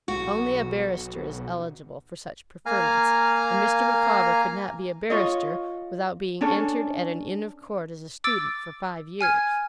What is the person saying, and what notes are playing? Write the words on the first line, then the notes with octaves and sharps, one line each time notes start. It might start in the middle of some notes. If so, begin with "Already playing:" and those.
Only a barrister is eligible for such preferments; and Mr. Micawber could not be a barrister, without being entered at an inn of court as a student, for five years.'
B1 F#4
A#3 F5 G#5 A#5 F6
F4 C#5 D#5
C#4 D4 A4 C#5
D6 E6 A6 D7
G#5 F6 G#6